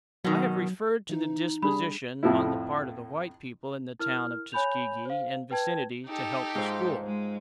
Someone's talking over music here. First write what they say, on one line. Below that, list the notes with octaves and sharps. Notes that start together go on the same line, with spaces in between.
I have referred to the disposition on the part of the white people in the town of Tuskegee and vicinity to help the school.
B2 D#3 F#3
E3 D#4
G3 D4 G#4 B5
F2 A2 F3 E4
E4 A#4 F6
C#5 G#5 B5 G6 F7
C5 F5
B4 G5 A5 G#6
D#4 G4 A4
G#2 F4 C5
G#3